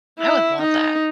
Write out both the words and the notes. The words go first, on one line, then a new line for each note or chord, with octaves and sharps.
I would love that.
E4
D#4